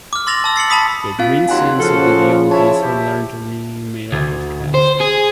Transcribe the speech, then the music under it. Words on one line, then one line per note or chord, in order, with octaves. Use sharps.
The green sands of the geologist are largely made up of casts.
D6 F6
C6 E6 A6 A#6 F7 F#7
A5 E6
A6 C7 C#7 F#7
A5 B5 D#6 B6
C4 F4 F5
D#2 F#3 F#5 G#5 C6
C#3 F3 F#4 A4 F5
E4 C#5 A5
E4 G4
D2
C5
G#4